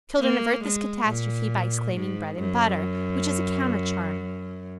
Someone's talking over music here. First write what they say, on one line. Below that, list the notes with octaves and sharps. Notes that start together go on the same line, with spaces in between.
Children avert this catastrophe by exclaiming, "bread and butter," which is a counter charm.
A#3
G#3
A#2
G#2
F#2